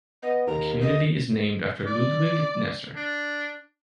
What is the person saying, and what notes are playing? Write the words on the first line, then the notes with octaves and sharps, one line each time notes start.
The community is named after Ludwig Nesser.
B3 D#5
D#2 A#5
D#5
D5
D4